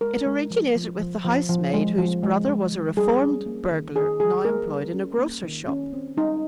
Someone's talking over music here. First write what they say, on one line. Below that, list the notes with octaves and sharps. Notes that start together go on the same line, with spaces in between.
It originated with the housemaid whose brother was a reformed burglar now employed in a grocer's shop.
G#3 A#4
G#3
F3
F3
F3
F3
F3
G#3
F3
G#3
G#3
F3
G3 G#4
C#4
A#3
D#3
D#3 G#4
G3 G#4
A#3 A#4
G3
C#4
A#3
D#3
C#4
C4
G3 D#4